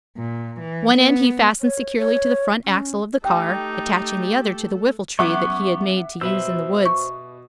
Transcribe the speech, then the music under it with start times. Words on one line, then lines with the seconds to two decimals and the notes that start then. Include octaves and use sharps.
One end he fastened securely to the front axle of the car, attaching the other to the whiffletree that he had made to use in the woods.
0.17 A#2
0.60 E3
0.93 B3
1.61 C#5
1.98 C#5
2.64 C#4
3.25 A3 D#4 G4 A4 G5
5.19 F#3 B3 C#4 E5 F#5 C#6 D6 F#6
6.21 B2 G4 B4 C5 E5 E6
6.85 C#6